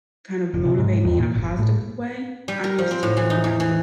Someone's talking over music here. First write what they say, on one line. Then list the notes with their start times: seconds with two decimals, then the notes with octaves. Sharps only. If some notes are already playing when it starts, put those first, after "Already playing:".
kind of motivate me in a positive way. I'm used to doing that for my
0.54 F1
0.65 C3
0.79 G#2
1.05 E2
1.19 A#2
1.35 G1
1.59 A2
2.48 G3
2.64 A#4
2.78 F3
2.91 C4
3.03 A2
3.17 E3
3.30 D#4
3.44 E2
3.60 E3